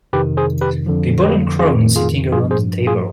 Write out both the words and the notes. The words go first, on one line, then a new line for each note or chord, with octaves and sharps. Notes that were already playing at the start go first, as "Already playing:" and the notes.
People in crowns sitting around the table.
F2 C3 D#3 G4 B4
G#4 C5
G4 B4
F2 D3 F3
G4 B4
F2 D#3 F4 G#4
F4 G#4
G2 F3 F4 G#4
G#4 C5
F4 G#4